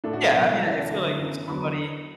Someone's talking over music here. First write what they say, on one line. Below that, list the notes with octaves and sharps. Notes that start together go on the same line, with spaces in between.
Yeah, I mean I feel, like, if somebody's,
A2 A3 D4 A4
F#4
A4
B2 F#3 B3 E4
F#2 E3 A3 E4 A5
D3 F#3 A3
F#2 E3 B3
E2 D3 F#3 B3 B5